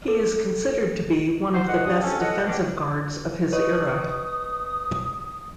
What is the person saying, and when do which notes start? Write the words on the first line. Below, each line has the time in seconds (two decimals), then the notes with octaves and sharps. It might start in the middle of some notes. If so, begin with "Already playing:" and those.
He is considered to be one of the best defensive guards of his era.
0.08 A4
1.54 F#4 C5
1.67 A#2 F#4 D#5 F#5
1.85 G2 D#6
2.02 F2 C#4 A4
2.20 A4 C#5 D#5 F#5
2.46 G3 G#3 B3 C#4 D4 G4
3.53 B4 C#5 D#5 D#6